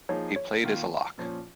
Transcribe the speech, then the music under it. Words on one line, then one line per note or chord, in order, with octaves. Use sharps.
He played as a lock.
F3 A#3 D#4 G#4 C#5
C#5
D#3 A#3 F4
A#2 F3 C#4